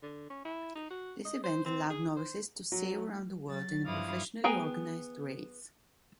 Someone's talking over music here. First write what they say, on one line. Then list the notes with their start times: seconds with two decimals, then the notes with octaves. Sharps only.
This event allowed novices to sail around the world in a professionally organised race.
0.03 D3
0.30 C#4
0.45 E4
0.75 D#4
0.90 F#4
1.25 D#5
1.43 C5
1.65 C4
1.90 G#4
2.17 C5
2.72 F#3
3.47 F#3 A6
3.85 G2 F3 E4 F5 D6 D#6
4.44 B3 G#4 G5 G#5 A#5